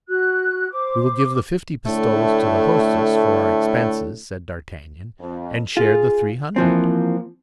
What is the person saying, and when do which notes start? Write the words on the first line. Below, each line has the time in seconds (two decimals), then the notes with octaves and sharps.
"We will give the fifty pistoles to the hostess for our expenses," said D'Artagnan, "and share the three hundred."
0.08 F#4 F#6
0.71 C5 D6
1.86 A2 D3 A3
5.20 F2
5.77 F4 G#4
6.56 E3 F3 A#3 C4